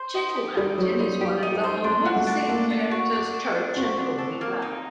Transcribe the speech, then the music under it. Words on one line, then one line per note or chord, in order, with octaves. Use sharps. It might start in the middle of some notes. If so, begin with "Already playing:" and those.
Chittlehampton is the home of Saint Hieritha's church and holy well.
Already playing: C5
D#4
G4
G3 D#4
F#3 C5
G3 D#4
G3 G4
D#4
G3
C5
A3 D4
F#4
A3
D4
A#3 A4
D4
F#4
D4
A4
D4
C4 F#4
D4
A4
A#3
D#4